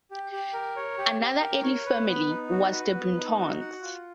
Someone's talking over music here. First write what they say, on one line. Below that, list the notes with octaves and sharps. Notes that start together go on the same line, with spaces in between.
Another early family was the Buntons.
G4
G4
A#4
C#5
G4
G4
A#4
C#5
B4
B3
D#4
F#4
B4
B3
D#4
F#4
F#5
F4